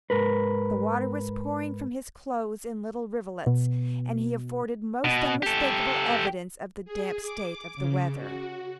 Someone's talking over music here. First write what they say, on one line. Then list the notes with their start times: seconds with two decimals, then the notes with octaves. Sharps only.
The water was pouring from his clothes in little rivulets, and he afforded most unmistakable evidence of the damp state of the weather.
0.10 G#2 A#4 B4
3.47 B2
5.04 B2
5.43 G4 A4
6.85 G#4
7.22 D6
7.76 C#3
8.17 F#4